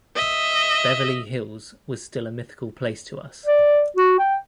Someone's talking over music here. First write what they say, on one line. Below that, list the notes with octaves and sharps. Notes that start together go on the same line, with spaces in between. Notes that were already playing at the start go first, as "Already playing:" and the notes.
Beverly Hills was still a mythical place to us.
D#5 E5
D5
F#4
G5